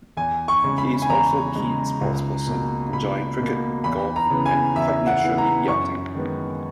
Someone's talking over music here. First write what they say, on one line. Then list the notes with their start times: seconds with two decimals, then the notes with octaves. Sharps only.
He is also a keen sports person, enjoying cricket, golf and quite naturally yachting.
0.17 E2 G#5
0.48 C#6
0.64 C#3 G#3
0.78 B5
1.02 G#5
1.09 E2 A#5
1.55 C#3 G#3
2.01 C#2
2.47 B2 A#3
2.93 C#2 B5
3.39 B2 A#3
3.84 E2 B5
4.16 A#5
4.30 C#3 E3 B3
4.46 G#5
4.76 E2 E5
5.07 F#5
5.22 C#3 E3 B3
5.38 A#5
5.68 F#2 C#6
6.15 D#3 G#3 B3